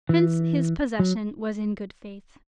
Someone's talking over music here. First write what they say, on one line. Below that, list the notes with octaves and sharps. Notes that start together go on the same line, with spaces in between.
Hence his possession was in good faith.
E3
F#3